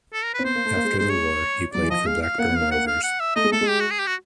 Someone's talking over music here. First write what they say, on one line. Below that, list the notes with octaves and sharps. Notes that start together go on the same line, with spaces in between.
After the war he played for Blackburn Rovers.
A4
A#4
C4 B4
B3 C5
A#3
A3
A#3
G#3
G3
G#3 C5
C#5
F#3 D5
E3
F3 D#5
G#3 F5
F5
A#3 F#5
B3
F5
A#3
F#5
F5
F#5
E5
A3 D#5
G#3
A3 A4
G#3
G4
F#4
G#4
G4
F#4